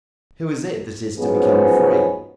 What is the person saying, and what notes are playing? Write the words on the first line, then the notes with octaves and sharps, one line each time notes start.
Who is it that is to become free?
G#2 F3 F#3 B3 C#4 G#4